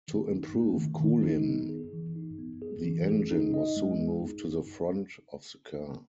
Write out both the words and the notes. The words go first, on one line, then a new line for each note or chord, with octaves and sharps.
To improve cooling the engine was soon moved to the front of the car.
D#3
D#4
A3
D#3
D#3
D#4
B3
G#4
E3
D#4
B3
G#4
E3
G#4
D#4
D#5
G#3
G#4
D#4